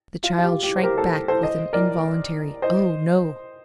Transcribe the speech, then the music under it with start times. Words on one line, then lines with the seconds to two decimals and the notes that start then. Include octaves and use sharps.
The child shrank back with an involuntary "Oh, no."
0.24 F4
0.38 F4
0.43 G4
0.63 G4
0.76 C5
0.83 G4 A#4
0.98 A4 C5
1.28 A4 C5
1.43 C5 D#5
1.73 A#4 D5
2.62 C5 D#5